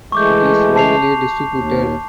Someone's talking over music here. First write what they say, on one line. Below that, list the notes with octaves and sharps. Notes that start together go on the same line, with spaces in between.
It is widely distributed.
E3 G#3 A3 C#6 D6 G6
A5 C7 F7
D#2